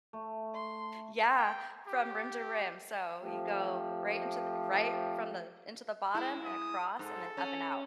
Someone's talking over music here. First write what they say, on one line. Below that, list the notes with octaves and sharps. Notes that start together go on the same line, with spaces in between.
Yeah. From rim to rim, so you go right into th right from the into the bottom and across and then up and out.
A3
C6
G5
G4
F3 A3 C4 G4
G#3 E4 G#4
D#6
G#2 A4
C#4